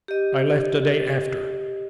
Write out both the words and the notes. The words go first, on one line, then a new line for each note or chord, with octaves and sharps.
I left a day after.
G4 D#5